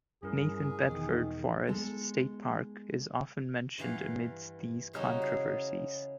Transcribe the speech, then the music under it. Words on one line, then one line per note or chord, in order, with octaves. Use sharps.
Nathan Bedford Forrest State Park is often mentioned amidst these controversies.
G2 C#4 E4 G#4 A#4
E1 E2 D#3 D6
G#3 B3 D#4 A4
G2 E3 F5 F#5
C#3 G3 C#4 D#4 E4 F#4
G#4